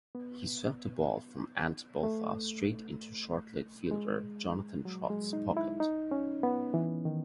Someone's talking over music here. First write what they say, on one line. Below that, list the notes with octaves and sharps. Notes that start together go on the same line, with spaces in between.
He swept a ball from Ant Botha straight into short-leg fielder Jonathan Trott's pocket.
B3
A3
G#3
F#3
G#3
D#4
E4
D#4
C#4
B3
E3
D#3